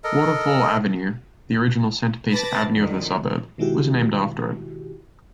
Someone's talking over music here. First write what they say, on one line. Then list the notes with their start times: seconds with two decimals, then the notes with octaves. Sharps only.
Waterfall Avenue, the original centre-piece avenue of the suburb, was named after it.
0.04 A4 A#4 D#5
2.29 B4 A5 B5 D6 A6 A#6
2.74 F2 D3 D#3
3.58 B2 D#3 G#3 E4 F#4 G4